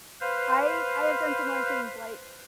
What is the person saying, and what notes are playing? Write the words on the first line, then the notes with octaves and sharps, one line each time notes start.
I I have done similar things like,
B4 C5 F5